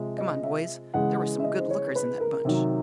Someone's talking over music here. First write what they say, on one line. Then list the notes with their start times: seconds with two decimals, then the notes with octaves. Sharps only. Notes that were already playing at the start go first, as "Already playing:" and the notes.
"Come on, boys--there were some good lookers in that bunch."
Already playing: C3 F3 G#3
0.18 D#5
0.43 E5
0.94 C#3 E3 G#3 F#5
1.39 E5
1.44 D#5
1.59 C5
1.70 C#5
1.95 B4
2.20 A#4
2.45 C3 D#3 F#3